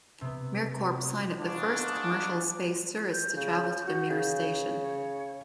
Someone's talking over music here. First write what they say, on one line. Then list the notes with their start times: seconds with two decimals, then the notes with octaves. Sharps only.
MirCorp signed up the first commercial space tourist to travel to the Mir station.
0.21 C3 B3
1.40 G#2 C#3 D4
3.12 G6
3.36 C#3 G6
3.87 F#4
4.10 C#3
4.80 C#5